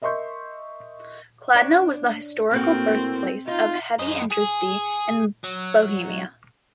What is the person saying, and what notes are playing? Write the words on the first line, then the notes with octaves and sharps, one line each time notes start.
Kladno was the historical birthplace of heavy industry in Bohemia.
A#4 D#5 E5 C6 C#6 G6
D4 C#5 D5
A2 A#3 C4 F#4
D#4 F4
F#2 D#5
G#4
F#3